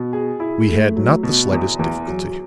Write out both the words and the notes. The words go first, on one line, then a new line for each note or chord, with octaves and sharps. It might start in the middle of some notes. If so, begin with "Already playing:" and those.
"We had not the slightest difficulty."
Already playing: B2
G#4
E4
A3
F#3
B2
E2
E2
F#3